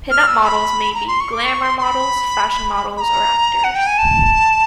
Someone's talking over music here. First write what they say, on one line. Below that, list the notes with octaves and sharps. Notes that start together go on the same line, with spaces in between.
Pin-up models may be glamour models, fashion models, or actors.
F6
E6
B5
A#5
C6
C#6
D6
C#6
C6
C6
B5
B5
A#5
F#5
G5
G#5
A5